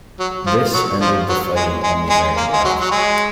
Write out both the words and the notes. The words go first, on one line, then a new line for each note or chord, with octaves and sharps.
This ended the fighting on the American left.
F#3
F3
F#3
F3
F#3
G#3
G#3
G#3
A#3
G#3
F#3
F#3
G#3